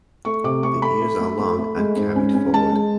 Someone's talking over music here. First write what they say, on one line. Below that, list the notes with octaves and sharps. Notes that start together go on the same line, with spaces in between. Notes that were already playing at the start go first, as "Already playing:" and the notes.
The ears are long and carried forward.
A3 C#6
C3 D6
A3 C#6
A3 B5
A3
A3
A3
A3
G#3
G#2
C#4
C#4
G#3 A5
G#3